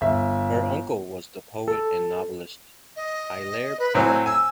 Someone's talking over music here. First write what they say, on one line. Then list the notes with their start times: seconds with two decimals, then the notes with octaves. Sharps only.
Her uncle was the poet and novelist Hilaire Belloc.
0.01 G1 E5
1.68 A4
2.96 D#5
3.79 B4
3.95 A2 F#3 C4 G#5
4.26 G#5 E6